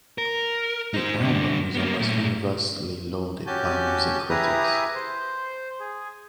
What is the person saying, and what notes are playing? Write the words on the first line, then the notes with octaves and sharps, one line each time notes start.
The album was almost universally lauded by music critics.
A#4
D#4 C5
G2 D3
A#3 B3
A#2 A3
C#4 F#4 G4 G#5 A5 G6
E4 G4 G#4 B4 A#5 D#6
C5
G#4